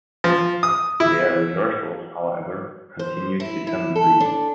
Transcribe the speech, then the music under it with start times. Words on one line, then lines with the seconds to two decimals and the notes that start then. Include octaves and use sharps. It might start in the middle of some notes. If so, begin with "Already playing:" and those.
Their rehearsals, however, continued to some degree.
0.24 F3
0.63 D#6
1.00 E4
2.99 C5
3.40 E4
3.67 E4
3.95 A4
4.20 D4